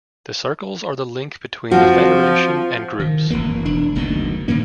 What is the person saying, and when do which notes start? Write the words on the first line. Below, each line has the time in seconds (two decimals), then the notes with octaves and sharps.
The circles are the link between the Federation and groups.
1.71 F3 C4 F4 F#4
2.99 D#3
3.30 F#1 E2 E3 A#3
3.65 E1 D4
3.95 F#1 D2 B2 D#3
4.48 F#2 D3 A#3 C#4